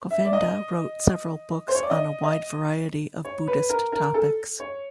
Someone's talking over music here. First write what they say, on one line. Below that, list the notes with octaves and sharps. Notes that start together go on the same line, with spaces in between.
Govinda wrote several books on a wide variety of Buddhist topics.
E5
D5
D#5
C5
C#5
D5
D#5
D#5
C#5
B4
A#4
A#4
A4
C#5